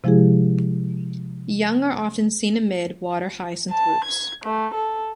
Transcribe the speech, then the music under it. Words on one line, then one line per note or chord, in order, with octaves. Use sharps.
Young are often seen amid water hyacinth roots.
C3 F3 G#3 E4 G4 G#4
A5
G#6
A3
A4